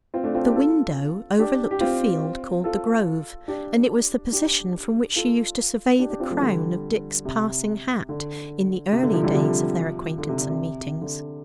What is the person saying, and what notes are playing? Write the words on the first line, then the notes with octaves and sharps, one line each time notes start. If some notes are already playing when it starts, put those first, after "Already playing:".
The window overlooked a field called the Grove, and it was the position from which she used to survey the crown of Dick's passing hat in the early days of their acquaintance and meetings.
C4 F4
A3 D4
C4 F4
D4 G4
F4 A4
D4 G4
G4
C4 F4
F4 A4
D4 G4
D4 G4
F4 A4
D4 G4
D4 G4
C4 F4
F3 A3
D3 G3
C3
D3
C3
D3
C3 F3
D3 G3
C3 F3
D3
C3
D3
C3
D3